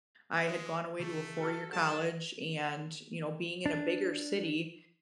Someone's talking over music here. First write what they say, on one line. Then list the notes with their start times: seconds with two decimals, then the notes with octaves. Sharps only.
I had gone away to a four-year college, and, you know, being in a bigger city,
0.45 G#3
0.99 C#3 E3 A3
1.38 F#4 A4 F6
1.72 F#3 D#4 G#4 A4 A5
3.66 D4